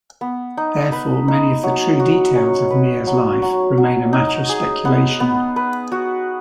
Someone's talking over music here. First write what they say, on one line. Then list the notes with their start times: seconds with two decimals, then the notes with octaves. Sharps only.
Therefore, many of the 'true details' of Mir's life remain a matter of speculation.
0.21 B3
0.57 D#4
0.92 B4
1.28 D#4
1.63 F#3
2.00 F#4
2.35 C#4
2.70 B4
3.07 F#3
3.42 F#3
3.78 F#3
4.13 D#4
4.49 G#4
4.85 B3
5.20 B3
5.56 B4
5.92 F#4